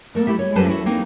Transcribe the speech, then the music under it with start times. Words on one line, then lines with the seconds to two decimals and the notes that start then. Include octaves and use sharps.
Oh, man.
0.15 A3 A#4
0.27 A3 E4 G4 E5
0.39 C#5
0.55 F#2 G3 A4 B4 C5 A5
0.69 E4 F#4 A4
0.86 A#3 C4 D#4